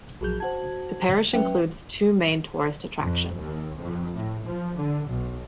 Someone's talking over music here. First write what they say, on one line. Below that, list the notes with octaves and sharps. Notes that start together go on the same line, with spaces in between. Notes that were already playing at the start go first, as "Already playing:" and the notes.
The parish includes two main tourist attractions.
A#1 F3 F#3 F#4 G#4 G6
F#4 C5 A5 G#6
F#3 C#4 B4 E5 G5
F2
D#2
F2
A2
F3
D3
B1